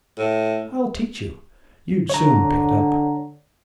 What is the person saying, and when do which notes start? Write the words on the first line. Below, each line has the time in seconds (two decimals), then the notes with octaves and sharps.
I'll teach you--you'd soon pick it up.'
0.18 A2
2.10 D3 C#5 A#5